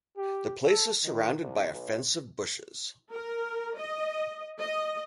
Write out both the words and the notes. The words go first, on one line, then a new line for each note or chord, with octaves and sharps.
The place is surrounded by a fence of bushes.
G4
A4
D#3
C2
B1
A#4
D#5
D#5